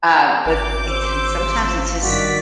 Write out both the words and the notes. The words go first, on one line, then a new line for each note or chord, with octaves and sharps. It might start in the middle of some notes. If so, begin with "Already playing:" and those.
uh, but, eh and sometimes it's just
G#1 C#3 D6 G6
C5 E6
C#4 F4
G2 D#3 F#4 D5 B6